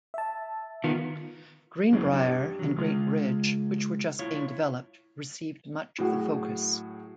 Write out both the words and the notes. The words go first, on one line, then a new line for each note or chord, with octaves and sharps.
Greenbrier and Great Bridge, which were just being developed, received much of the focus.
E5 A5
D#3 B3 F4
F#3 C#4 E4 G#4 A#4
D4 G4 C#5
D#3 F#3
C#3 G#3 F4
E4 F4 C#5
A2 F#3 F#4 G#4